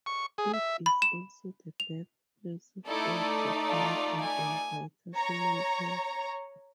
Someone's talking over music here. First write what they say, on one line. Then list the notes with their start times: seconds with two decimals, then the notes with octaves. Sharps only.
It is also the birthplace of actor, comedian and writer Simon Pegg.
0.06 C#6
0.38 G#4
0.54 E5
0.86 B5
1.02 E7
1.80 F7
2.87 A3 D#4 E4 A4 D5
3.69 F4
4.21 G#5
5.16 C#5 A#5